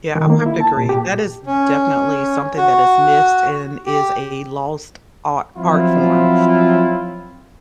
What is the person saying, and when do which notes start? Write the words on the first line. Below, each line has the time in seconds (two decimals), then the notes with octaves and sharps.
Yeah, I would have to agree, that is definitely something that is missed, and is a lost ar art form,
0.15 D#3
0.30 A#3
0.46 E4
0.60 A5
0.77 A#2
0.89 G4
1.46 C#4
2.57 F#4
3.86 G4
5.57 F3 F#3 C4 E4 F4